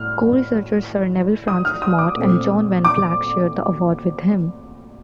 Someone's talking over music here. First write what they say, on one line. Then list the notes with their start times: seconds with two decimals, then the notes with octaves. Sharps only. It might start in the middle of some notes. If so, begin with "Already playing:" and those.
Co-researchers Sir Nevill Francis Mott and John van Vleck shared the award with him.
Already playing: A2 F6
1.48 D#6
1.65 F6
1.82 D#6
1.99 D6
2.16 A#2 A3 C4
2.85 D6